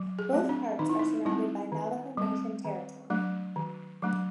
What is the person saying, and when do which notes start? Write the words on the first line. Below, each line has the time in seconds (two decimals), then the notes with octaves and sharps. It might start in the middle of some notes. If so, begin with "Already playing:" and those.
Both parts are surrounded by Navajo Nation territory.
Already playing: F#3
0.19 G#4
0.33 A3 C4
0.49 D4
0.79 D#3 D#4
0.90 E4
0.99 D#4
1.25 G3 C4 E4
1.72 D#3
2.17 G3 C4
2.64 D#3
3.10 F#3 A3 D4
3.56 D#3
4.02 F#3 A3 D4